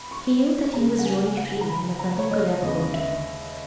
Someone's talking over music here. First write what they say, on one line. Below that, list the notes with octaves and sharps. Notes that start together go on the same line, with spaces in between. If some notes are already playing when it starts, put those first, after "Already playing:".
He knew that he was really free, and that nothing could ever hurt him.
Already playing: B5
C#6
C#2 C#3 G#3 B3 A#5
F#5
G#5
G#5
F#5
A#5
B5
A#5
C#5
D#5
D#2 C#3 G#3 B3 D#5
E5